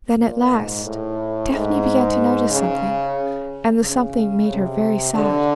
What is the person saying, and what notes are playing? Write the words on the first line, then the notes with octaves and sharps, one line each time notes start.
Then, at last, Tephany began to notice something, and the something made her very sad.
A#2
G#2
A2
G#2
C#3
C#3
C3
D3